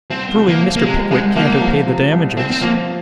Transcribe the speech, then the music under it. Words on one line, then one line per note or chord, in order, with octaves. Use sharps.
Surely Mr. Pickwick can't have paid the damages.'
C2 C4
C2
A#3
F3
A#3
C3 G#3
C2 G#3
C2 A#3
F3
C3
C2
C2 C4
C4
F3 A#3